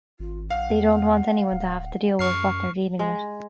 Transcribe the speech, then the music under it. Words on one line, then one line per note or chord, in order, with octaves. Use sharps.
They don't want anyone to have to deal with what they're dealing with.
G#1 F4
A#1 F5 F#5
E2
D1
F#2 C#6 F6 C7
G#3